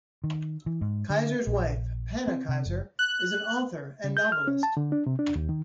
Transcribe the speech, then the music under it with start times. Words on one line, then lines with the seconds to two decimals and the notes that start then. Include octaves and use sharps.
Kaiser's wife, Panna Kaiser, is an author and novelist.
0.24 D#3
0.66 E3
0.81 G#2
1.10 D3
1.47 A#1
2.28 C4
2.49 C3
2.65 F#1
2.99 F#6
4.04 C#3
4.17 G6
4.32 F6
4.48 C#4
4.63 A5
4.77 D3
4.92 D4
5.07 C3
5.19 D4
5.36 D#2
5.49 D#3